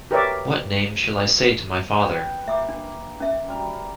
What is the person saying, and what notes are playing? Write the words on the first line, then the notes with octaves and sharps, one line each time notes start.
What name shall I say to my father?
G4 A#4 B4 C#5 D5 E5
B4 G5
A#3 E5 D6
D4
C#4 E5
G3 A#4